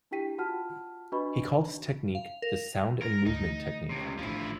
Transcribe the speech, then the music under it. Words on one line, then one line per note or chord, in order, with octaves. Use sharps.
He called his technique the "sound and movement" technique.
D4 E4 G4 G5 B6 D#7
F4 F#4 F#5 A5 F6
D4 F#4 B4 D#5 B5 C#6
F5
A#4
A#4
D2 D#4
C#2 C3
A1 F3 D4 E4